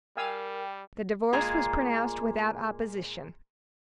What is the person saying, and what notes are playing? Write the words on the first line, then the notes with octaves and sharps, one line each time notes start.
The divorce was pronounced without opposition.
G3 A#4 F5 G5 G#5 E6
A#2 G#3 A#3 G#4 A#5